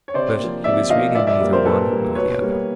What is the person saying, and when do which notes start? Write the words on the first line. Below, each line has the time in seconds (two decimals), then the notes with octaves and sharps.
But he was really neither one nor the other.
0.08 C#5
0.14 C3 C5 D5
0.39 F3 A#3
0.64 C3 D5 E5
0.89 F3 A#3 D#5 F5
1.15 A#2 D5 E5
1.27 D5 E5
1.40 G3 A#3
1.53 A#4 C5
1.65 A#2 A4 B4
1.90 G3 A#3
2.15 B2 B4 C#5
2.41 G3 A#3